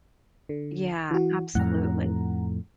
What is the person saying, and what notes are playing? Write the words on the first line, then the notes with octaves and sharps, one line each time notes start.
Yeah, absolutely.
D3
E3 F#4
F2 A2 F#5 A#5